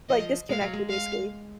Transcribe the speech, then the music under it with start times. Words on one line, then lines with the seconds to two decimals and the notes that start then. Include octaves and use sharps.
like, disconnected, basically.
0.09 F3 D#5
0.49 G#3 F5
0.61 F#3
0.73 G#3
0.89 F5